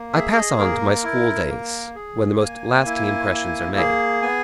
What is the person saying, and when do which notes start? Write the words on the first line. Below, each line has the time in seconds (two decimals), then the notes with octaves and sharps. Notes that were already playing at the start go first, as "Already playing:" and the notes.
I pass on to my school-days, when the most lasting impressions are made.
Already playing: A#3
0.13 G#4 E5
0.36 D#5
0.59 A#3 A#4
1.04 E4
1.50 A#3
1.95 G#4
2.40 A#3 G#5
2.86 E4
3.32 A#3
3.77 G#4
4.22 B3 G#5